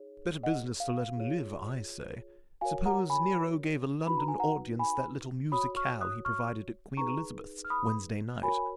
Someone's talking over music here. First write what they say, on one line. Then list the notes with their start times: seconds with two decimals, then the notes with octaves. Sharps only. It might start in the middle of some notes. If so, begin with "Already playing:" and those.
It's better business to let 'em live, I say. Suppose Nero gave a London audience that little musicale he provided at Queen Elizabeth's Wednesday night.
Already playing: D#4 G#4 C#5
0.43 D#5 F#5
0.80 F5
1.16 F4 G#4 C#5
2.61 F#4 A#4 C#5 F5 G#5
2.86 F#5 A#5
3.10 G#5 B5
4.07 D#4 F#4 B4 B5
4.18 A#5
4.28 G#5
4.40 F#5 A#5
4.79 G#5 B5
5.52 F#4 C#5 B5 D#6
5.76 C#6 F6
6.01 D#6 F#6
6.25 C#6 F6
6.97 D#4 G#4 B4 A#5 C#6
7.65 F6
7.70 B5 D#6
8.43 F#4 A#4 C#5 G#5 B5